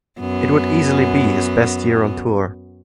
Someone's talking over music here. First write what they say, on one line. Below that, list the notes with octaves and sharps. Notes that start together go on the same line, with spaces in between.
It would easily be his best year on tour.
F#2 B3